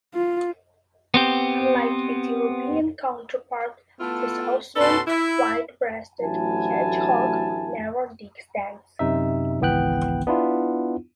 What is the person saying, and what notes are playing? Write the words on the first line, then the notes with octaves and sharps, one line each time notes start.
Unlike its European counterpart, the Southern white-breasted hedgehog never digs dens.
F4
B3 C4 G4
A3 B3 E4 F4 A4
B2 C#4 A4 B4 A5 C6
E4
A1 D2 F#3 E4 G#5 A5
F#2 C3 D#4 E5
G#1 C#2 E3 B3 G5 F#6
B3 D4 E4 F4